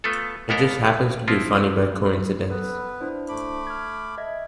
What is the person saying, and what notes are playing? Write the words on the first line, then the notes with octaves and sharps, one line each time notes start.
It just happens to be funny by coincidence.
A3 B3 F4 A4
D#2 A#3 B3 A4 A#4 A#5
F3 C4 E4 F4
B3 A4 B4
D4 E4 C5
A3 B5 D6
F6 G#6
D#5 E5 G#6